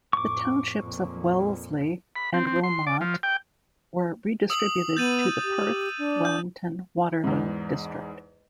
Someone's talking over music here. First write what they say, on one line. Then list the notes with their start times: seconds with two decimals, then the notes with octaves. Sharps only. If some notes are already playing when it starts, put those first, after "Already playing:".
The Townships of Wellesley and Wilmot were redistributed to the Perth-Wellington-Waterloo district.
0.13 F2 A2 C#6 D6
0.79 F2 A#2
2.16 B5
2.34 C4
2.47 C4
2.63 C6
2.87 D5
3.01 F3
3.23 G5
4.50 D#6 E6 F#7
4.97 B3 G6 A6 D#7
5.44 G4
5.98 D4
6.25 G6
7.24 E2 G#2